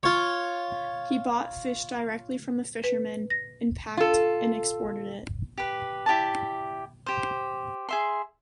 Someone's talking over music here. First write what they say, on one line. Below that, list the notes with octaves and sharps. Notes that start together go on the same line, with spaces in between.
He bought fish directly from the fishermen, and packed and exported it.
F4 C#5
B4
A#6
F4 A4
G4 B4
E4 G4 D5 A5
G4 C5
G#4 E5 C6